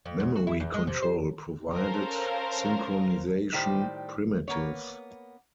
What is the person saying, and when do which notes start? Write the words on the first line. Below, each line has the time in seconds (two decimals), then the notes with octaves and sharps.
Memory control provided synchronization primitives.
0.06 F2
0.20 E2
0.36 F#4
0.47 E4
0.60 E2
0.74 G#3
0.87 C3
1.02 C5
1.74 C#4 A4 A#4 C5 F5
3.53 A2 D#3 G3 G4 C5
4.48 A#3 B3 C#5